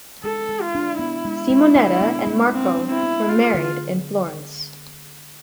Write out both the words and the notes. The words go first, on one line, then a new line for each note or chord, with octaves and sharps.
Simonetta and Marco were married in Florence.
G#3 A4
G#3
F4
D4
B3 E4
G#3
G#3
D4
B3
G#3
G#3 C4
D4
E4
B3
F4 G#4
D3